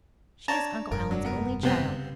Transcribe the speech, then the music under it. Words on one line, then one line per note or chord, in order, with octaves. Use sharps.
She is Uncle Allan's only child.
D4 C#5 A5 A#5 G#6
F1 G2 A#4
F#3 D4
B3 A#4
C#2 C3 B3 C4 G7